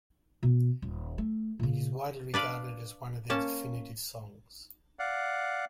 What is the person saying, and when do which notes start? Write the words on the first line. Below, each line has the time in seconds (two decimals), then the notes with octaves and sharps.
It is widely regarded as one of their definitive songs.
0.43 B2
0.82 D#1
1.18 A3
1.59 A#2 C#3
2.34 D4 B4 D5 F5
3.30 A#3 C#4 A5
4.99 D5 F5 F#5